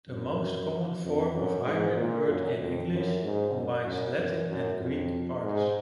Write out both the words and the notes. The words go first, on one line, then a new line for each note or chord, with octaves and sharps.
The most common form of hybrid word in English combines Latin and Greek parts.
F#2
F2
F#2
G#2
A#2
F#2
F2
F#2
G#2
F#2
F#2
F#2
F#2
F2
G#2